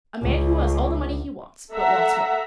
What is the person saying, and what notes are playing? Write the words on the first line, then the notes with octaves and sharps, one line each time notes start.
A man who has all the money he wants but wants more.
C#2
A4 E5 F#5 A#5